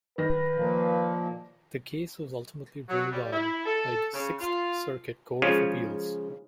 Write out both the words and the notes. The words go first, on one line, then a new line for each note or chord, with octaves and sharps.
The case was ultimately ruled on by the Sixth Circuit Court of Appeals.
D#3 B4 A#6
A#2 F3 A#3
F#3
G3
E4
A4
C#3
F4
C#3 F3 G#3 C#4 F4 C#5